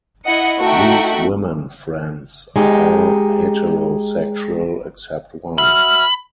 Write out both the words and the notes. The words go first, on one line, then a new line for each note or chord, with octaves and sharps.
These women friends are all heterosexual except one.
E4 D#5 F#5 C#7
A3 D#4 F#4 E5 F#5 G5
G#3 D#4 G4
F#4 E5 B5 F6